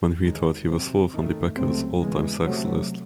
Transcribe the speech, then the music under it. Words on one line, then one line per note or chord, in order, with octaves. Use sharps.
When he retired, he was fourth on the Packers' all-time sacks list.
D#2 D#3 G#3
C3 F#3 C4
F#2 D#3 A3
C#2 C3 F#3 A3 C4
E2 C#3 E3 G#3
C3 F#3 A3